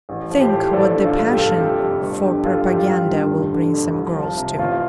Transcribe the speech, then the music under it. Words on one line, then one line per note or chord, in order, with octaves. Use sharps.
Think what the passion for propaganda will bring some girls to!
A1
F3
G4 C5
A2
A1 A4 D5
D3
F4 A4
G2
G4
F1 F4 A4
C3 G4
F2
G1
D3 G4
G2 F4 A4
A1 G4
F4
G3 G4
G2
F1
D3
F2
C2
F3
C3
A1 F4